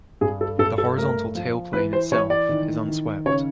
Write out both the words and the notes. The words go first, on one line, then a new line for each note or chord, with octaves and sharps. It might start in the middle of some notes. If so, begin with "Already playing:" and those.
The horizontal tailplane itself is unswept.
G2 G#4
A4
G2 A4
A4
A3 A#4
F3
E3 B4
C5
E3 C#5
D5
D#3
D#3
C#3 C#5